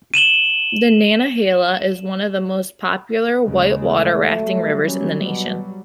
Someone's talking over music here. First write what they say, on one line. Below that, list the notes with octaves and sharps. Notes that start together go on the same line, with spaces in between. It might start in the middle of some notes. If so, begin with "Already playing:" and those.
The Nantahala is one of the most popular whitewater rafting rivers in the nation.
D#7 E7 F#7 G7
D#2 C#3 G#3
A3
F#3 G3
C#4
B2